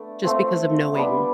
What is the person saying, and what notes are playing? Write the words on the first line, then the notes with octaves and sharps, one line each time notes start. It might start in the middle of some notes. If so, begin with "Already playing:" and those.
just because of knowing
Already playing: A3 B3 D4
A3 C4 F4
G3 B3 D4